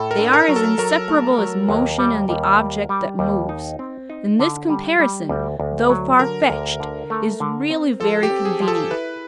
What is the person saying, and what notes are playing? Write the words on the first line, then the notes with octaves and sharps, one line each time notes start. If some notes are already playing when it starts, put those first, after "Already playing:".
They are as inseparable as motion and the object that moves; and this comparison, though far-fetched, is really very convenient.
Already playing: A2 A4
A#4
D4
A#4
F#3
A4
F#3 A#4
A3
F#3
D#2
G3
D#2
G3
G3
D#2
D#4
C4
D#4
D3
G3
G3
D2
D2
F#3
D3 A#4
D2
D3
A3
D3
C4
F3 A4
G4
C4
G#4
F3
A4
E4 B4